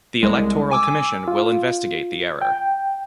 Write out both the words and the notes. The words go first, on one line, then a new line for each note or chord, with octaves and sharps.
The Electoral Commission will investigate the error.
C2 G#3
G#5 D6 E6
F4
G5